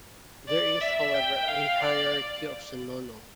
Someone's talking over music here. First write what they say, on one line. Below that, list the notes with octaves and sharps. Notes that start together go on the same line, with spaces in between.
There is, however, a hierarchy of tsunono.
D5
E5
G5
F5
D5